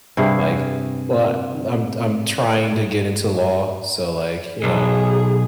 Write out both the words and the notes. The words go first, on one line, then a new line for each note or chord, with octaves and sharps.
like well, l I'm I'm trying to get into law. So, like, you know,
G2 C3 G#4 F5
B1 G#4